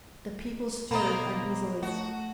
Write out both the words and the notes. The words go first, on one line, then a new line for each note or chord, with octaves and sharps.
The people stirred uneasily.
B2 A#3 C4 D#5 A#5 B5
A3 F#4